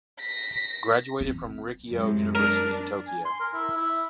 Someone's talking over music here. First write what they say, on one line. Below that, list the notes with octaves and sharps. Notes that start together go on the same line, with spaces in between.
Graduated from Rikkyo University in Tokyo.
A#6 B6
C4
F#2 C3 G#3
D4 A#4
G#5
C6
A#4
E4
E4